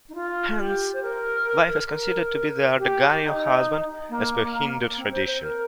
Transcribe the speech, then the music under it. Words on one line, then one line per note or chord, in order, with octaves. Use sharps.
Hence wife is considered to be the Ardhangani of husband as per Hindu tradition.
D#4
F4
G4
C5
A#4
A#4
G4
D#4
A#3
C4
C5
C5
A#4